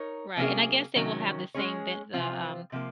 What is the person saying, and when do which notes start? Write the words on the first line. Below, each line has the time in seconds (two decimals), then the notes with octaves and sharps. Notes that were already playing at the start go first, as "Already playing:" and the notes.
Right, and I guess they will have the same ve the, um
Already playing: D#4 A#4 C#5
0.37 C3 F#3 A#3 C#4 G#4
0.95 C3 D#3 F#3 C#4
1.54 G#3 C#4 G#4 C#5
2.14 C3 F3 C4 F4
2.72 C3 F3 A#3